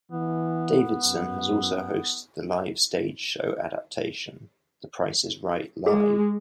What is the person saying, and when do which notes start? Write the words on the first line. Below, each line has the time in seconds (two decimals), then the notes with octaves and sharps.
Davidson has also hosted the live stage show adaptation, The Price Is Right Live!
0.12 E3 B3
1.06 F#2
5.86 G#3 G#4